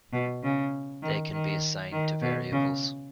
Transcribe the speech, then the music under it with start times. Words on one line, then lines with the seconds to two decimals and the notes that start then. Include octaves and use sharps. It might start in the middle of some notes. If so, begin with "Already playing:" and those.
They can be assigned to variables.
0.13 B2
0.43 C#3
1.03 D#3
1.32 D#3
1.92 D#3
2.22 B2
2.52 C#3